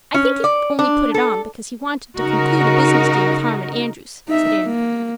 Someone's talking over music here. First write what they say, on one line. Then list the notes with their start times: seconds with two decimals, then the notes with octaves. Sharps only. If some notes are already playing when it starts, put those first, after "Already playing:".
"I think he only put it on because he wanted to conclude a business deal with Harmon Andrews," said Anne.
0.14 C#4
0.44 D5
0.79 D4
1.14 A4
2.19 C#3 D#4 F#4 A#4
4.28 D#4 E5
4.65 A#3